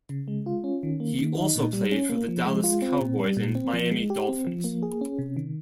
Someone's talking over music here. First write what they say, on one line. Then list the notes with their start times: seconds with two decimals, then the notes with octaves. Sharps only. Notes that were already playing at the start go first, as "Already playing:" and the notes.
He also played for the Dallas Cowboys and Miami Dolphins.
0.09 C#3
0.28 G#3
0.46 F4
0.64 C#4
0.83 D#3
1.00 A#3
1.19 D#3
1.37 D#4
1.56 A#2
1.73 G3
1.92 C#4
2.09 A#3
2.28 F3
2.46 G#3
2.64 F4
2.82 C4
3.01 A#2
3.19 G3
3.37 A#2
3.55 C4
3.73 F3
3.91 G#3
4.10 G4
4.29 C4
4.47 F3
4.64 A#3
4.83 G#4
5.01 C#4
5.18 C3
5.37 D#3